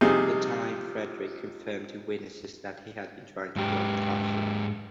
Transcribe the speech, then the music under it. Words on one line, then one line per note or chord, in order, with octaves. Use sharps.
The dying Frederick confirmed to witnesses that he had been trying to rob Thompson.
C3 F3 G3 D#4 G#4
G#2 G4